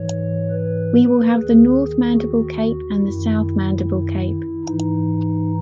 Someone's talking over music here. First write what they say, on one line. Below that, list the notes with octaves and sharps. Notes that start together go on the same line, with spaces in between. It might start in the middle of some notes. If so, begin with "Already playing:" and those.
We will have the North-Mandible cape and the South-Mandible cape.
Already playing: G#2 E3 C#5
B4
D#2 D#3 G#4
F#4
F#2 D#3 E4
G#2 E3 D#4